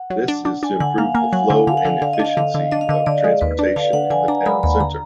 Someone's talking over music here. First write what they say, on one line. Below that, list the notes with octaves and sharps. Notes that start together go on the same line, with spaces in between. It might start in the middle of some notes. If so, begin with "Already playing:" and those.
This is to improve the flow and efficiency of transportation in the town centre.
Already playing: F#5
F#3
D4
D4
D4 G#5
D3 F#5
A#3 F5
A#3 G#5
F#3 F#5
D3
D3 F5
F#5
D3 F5
D3 F5
D#5
D4
F5
D3 F5
D3
D4 D#5
F5
D3 D#5
D3 D5
G#3
D#2 B4
D4 D5
D3 F5
D3 F#5
D3 G#5
D4 A#5
G#3 B5
D#2 B5
D3 A#5